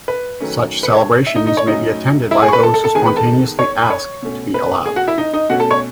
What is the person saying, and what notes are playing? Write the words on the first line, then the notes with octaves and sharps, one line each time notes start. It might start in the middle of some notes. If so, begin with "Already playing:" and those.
Such celebrations may be attended by those who spontaneously ask to be allowed.
B4
D#3 F#3 A3 C#4
B4
C#5
E5
D#4 D#5
D#4 D#5
C#5
A2 F#3 C#4 D#4 D#5
E4 E5
G#4 G#5
C#6
B4 B5
A4 A5
A4 A5
A4 A5
D#3 G#3 B3 G#4 G#5
B4 B5
A4 A5
C#5 C#6
B5
C#5 C#6
B2 A3 C#4
B4 B5
G#4 G#5
F#4 F#5
E4 E5
D#4 D#5
D#4 D#5
B2 A3 C#4 F#4 F#5
A4 A5
C#5 C#6